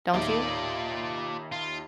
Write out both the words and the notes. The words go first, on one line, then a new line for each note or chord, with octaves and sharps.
don't you?
D#2 D#4 F4 D5 E5
F4